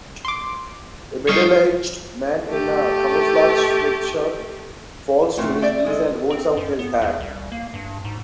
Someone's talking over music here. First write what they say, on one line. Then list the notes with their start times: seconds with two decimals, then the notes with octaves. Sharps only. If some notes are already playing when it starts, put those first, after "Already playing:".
A middleaged man in a camouflage sweatshirt falls to his knees and holds out his hat.
0.25 C6 D6
1.29 G3 D#4 C#5 F6 C7
2.48 A3 G4
5.37 A#2 A3 C4 F#4
5.62 D5 E5 G5
5.86 G#3 A4 D#5
6.30 C4
6.57 F#2
6.79 B3
7.02 E2
7.20 C2
7.52 A#3
7.74 G2
8.04 G#2